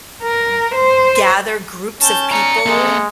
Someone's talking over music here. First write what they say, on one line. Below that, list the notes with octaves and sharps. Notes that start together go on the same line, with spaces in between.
gather groups of people,
A#4
C5
C#4 A5 G6
D5 A#5 C#7
G#3 A#3 A4